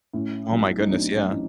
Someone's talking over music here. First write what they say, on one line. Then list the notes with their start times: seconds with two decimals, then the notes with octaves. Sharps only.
Oh, my goodness, yeah.
0.13 A2 C#4
0.52 B1
0.80 D#4
0.90 B1 C4 D4
1.29 E3 C#4 D#4